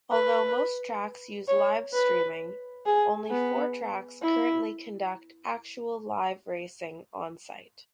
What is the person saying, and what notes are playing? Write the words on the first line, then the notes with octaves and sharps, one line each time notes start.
Although most tracks use Livestreaming only four tracks currently conduct actual live racing onsite.
B4
C#5
B4
G#4
B3
E4